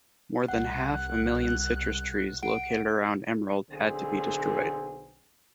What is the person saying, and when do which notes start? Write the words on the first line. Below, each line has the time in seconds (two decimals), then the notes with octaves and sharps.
More than half a million citrus trees located around Emerald had to be destroyed.
0.48 C2 F#5 F#6
2.43 F#5 D7
3.70 B1 D3 C4 G#4